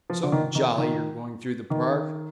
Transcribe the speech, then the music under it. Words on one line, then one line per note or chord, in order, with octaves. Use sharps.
"So jolly you're going through the Park."
F3
D3
D#3
D#3
D#3
D#3